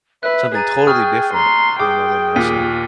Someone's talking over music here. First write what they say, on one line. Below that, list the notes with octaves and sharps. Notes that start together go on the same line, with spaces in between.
something totally different than you know, than wrestling.
B4 E5 F#6
G#4 A#5 A6 D#7
G5 C#6 D#6 F6
A#5 C6
G#4 G5 D6
D#2 A#2 B6 D#7